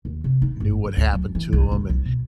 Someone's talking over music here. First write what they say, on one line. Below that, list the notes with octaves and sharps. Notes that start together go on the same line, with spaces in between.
knew what happened to him, and,
D#2
C3
D#4
G1
F#2
D2
F#3
E3
C2
D#1
C2
B2